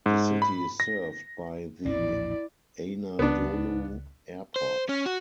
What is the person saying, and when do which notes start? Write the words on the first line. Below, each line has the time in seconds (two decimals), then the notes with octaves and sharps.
The city is served by the Anadolu Airport.
0.06 G#2
0.42 B5
0.80 A#6
1.85 A#1 E2 A2 E4 D5
3.19 C#2 B3 D4
4.56 C5
4.89 C#4
5.06 F#4